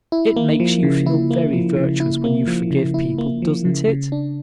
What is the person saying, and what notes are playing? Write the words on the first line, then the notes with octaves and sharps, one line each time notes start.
It makes you feel very virtuous when you forgive people, doesn't it?
E4
A#3
F3
C#3
E4
A#3
F3
C#3
E4
A#3
F3
C#3
E4
A#3
F3
C#3
C#3
D4